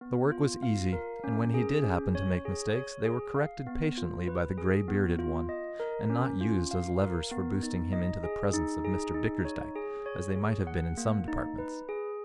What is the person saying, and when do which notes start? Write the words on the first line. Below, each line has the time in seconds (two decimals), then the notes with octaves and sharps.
The work was easy; and when he did happen to make mistakes, they were corrected patiently by the grey-bearded one, and not used as levers for boosting him into the presence of Mr Bickersdyke, as they might have been in some departments.
0.01 B3
0.31 F4
0.63 F5
0.93 A#4
1.24 C#4
1.54 G#4
1.84 C#4
2.15 C#5
2.45 G#4
2.75 C#5
3.05 G#4
3.36 F5
3.66 B3
3.98 F4
4.28 B4
4.58 G#4
4.88 B3
5.19 F4
5.49 D#5
5.80 A#4
6.10 C#4
6.41 F4
6.71 F5
7.02 A#4
7.31 B3
7.63 D#4
7.93 D#5
8.24 G#4
8.54 D#4
8.85 G#4
9.14 D#4
9.45 C#5
9.75 G#4
10.06 C#5
10.36 G#4
10.67 F#5
10.97 A#3
11.28 D#4
11.58 B4
11.89 G#4